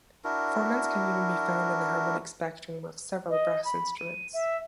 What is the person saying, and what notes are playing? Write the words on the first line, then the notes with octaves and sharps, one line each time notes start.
Formants can even be found in the harmonic spectrum of several brass instruments.
D4 E4 F#4 A#4
D#5
B5
D#7
E5